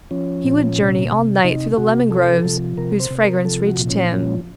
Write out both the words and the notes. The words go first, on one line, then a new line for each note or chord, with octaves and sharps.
He would journey all night through the lemon groves, whose fragrance reached him.
F3 C#4
A#2
C3
C3
C3 D#4
C3 F#4
F3 A4
C3
C3 A#4
C5
C3
A#4
F3 A4
F#4
A#2
C#4
F3 C#4